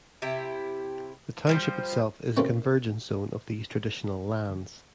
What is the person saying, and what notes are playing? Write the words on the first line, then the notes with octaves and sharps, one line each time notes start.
The township itself is a convergence zone of these traditional lands.
C3 E4 G4
F3 G3 C5
B2 A3 A#3 C4 C#4